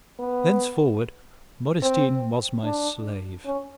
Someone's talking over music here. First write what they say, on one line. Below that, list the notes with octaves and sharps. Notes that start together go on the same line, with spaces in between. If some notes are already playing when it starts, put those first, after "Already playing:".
Thenceforward Modestine was my slave.
B3
C4
D4
C#4